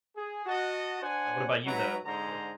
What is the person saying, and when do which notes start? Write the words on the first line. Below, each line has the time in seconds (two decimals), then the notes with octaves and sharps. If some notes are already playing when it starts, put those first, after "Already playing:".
Uh, what about you though? What what, uh
0.15 G#4
0.46 F#4 D#5 A5
1.01 D4 C5 F#5 G#5
1.65 G#2 F#3 B4 E5 A#5 B5
2.05 G#2 D3 G#3 C5 A#5